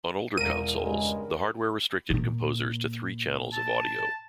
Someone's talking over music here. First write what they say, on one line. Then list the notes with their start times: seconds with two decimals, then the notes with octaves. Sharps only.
On older consoles, the hardware restricted composers to three channels of audio.
0.37 E1 A#4 A#6 D#7
0.79 G2 C#3 G#3
2.10 A#2
3.53 A5